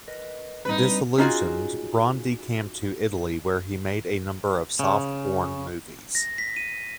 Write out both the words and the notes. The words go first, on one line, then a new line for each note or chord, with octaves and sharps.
Disillusioned, Braun decamped to Italy, where he made a number of softporn movies.
A#4 B4 D#5
G3 C4 D4 D#4 B4
C#4 D#4 F4 F#4 G#4
C#3
A#6
B6
D#7